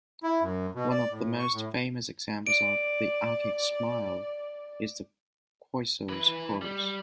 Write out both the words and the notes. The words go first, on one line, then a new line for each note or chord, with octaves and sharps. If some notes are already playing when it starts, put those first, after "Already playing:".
One of the most famous examples of the Archaic Smile is the Kroisos Kouros.
E4
F#2
B2
D5
A2
C#6
A2
D5 D7
E3 B4
G3